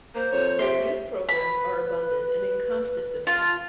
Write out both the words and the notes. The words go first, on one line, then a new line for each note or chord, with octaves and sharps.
Youth programs are abundant and in constant demand.
A#3 C5
F2 C#5
G4 C5 E5
B4 B5
F4 A5